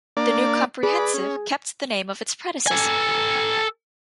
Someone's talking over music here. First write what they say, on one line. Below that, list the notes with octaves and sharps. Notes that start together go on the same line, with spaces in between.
The new comprehensive kept the name of its predecessor.
A#3 D4 D5
G#4 B4 D5
C#4
A4 G#5